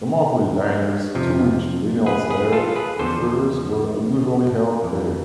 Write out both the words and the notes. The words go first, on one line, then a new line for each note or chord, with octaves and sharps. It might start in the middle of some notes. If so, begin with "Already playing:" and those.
The monthly dinners to which Linnell's letter refers were usually held there.
Already playing: B2
F2 C3 F3
G#4 B4
G#4 B4
F4 A4
G#4 B4
E2 D3 F3 A4 C5
F2 E3